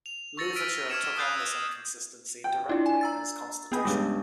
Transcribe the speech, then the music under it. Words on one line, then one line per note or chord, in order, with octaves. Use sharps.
Louverture took on this inconsistency directly in his constitution.
F7
C#6 E6 A6 A#6 C#7 F#7
E6 F6 B6 D7 D#7 F#7
D6 F6 G#6 A#6 C#7 E7
D#6 E6 F#6 G6 A6 C7
E6
G5
D4 E4 F4
G#5
A#5 E6 A6
B3 G#4 B4 D#5 G6
C#2 G2